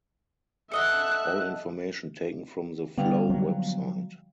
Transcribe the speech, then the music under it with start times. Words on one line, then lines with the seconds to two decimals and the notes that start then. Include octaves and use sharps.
All information taken from the Flow website.
0.72 A4 D#5 E5 F#5 F#6
2.98 D3 G3 B3 F5
3.30 F3 F#3 G#3